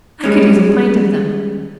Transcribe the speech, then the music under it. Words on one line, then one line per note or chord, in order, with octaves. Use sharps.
I could use a pint of them!
G3 G#3 C#4